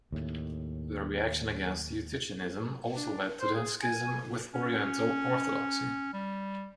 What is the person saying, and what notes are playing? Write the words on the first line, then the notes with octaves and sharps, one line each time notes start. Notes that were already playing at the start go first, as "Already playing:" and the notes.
The reaction against Eutychianism also led to the schism with Oriental Orthodoxy.
D#2 A2
D4
C5
G#4
G#5
C#4
G3